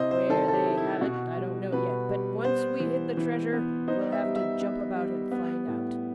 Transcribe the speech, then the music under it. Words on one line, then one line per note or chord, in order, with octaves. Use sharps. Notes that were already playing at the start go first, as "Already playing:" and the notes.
Where they have it, I don't know yet; but once we hit the treasure, we'll have to jump about and find out.
Already playing: C3 E4 C5 D#5
C5
D#3 A4
A4
G4
E4
E4
B2 F#4
G3
B2 B4
G3
B3 C5
E3
E3
B3
D#4 C5
E5
G3
E5
B3
G3
B3
A2